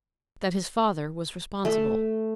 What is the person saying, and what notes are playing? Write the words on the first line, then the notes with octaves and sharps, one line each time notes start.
That his father was responsible.
A3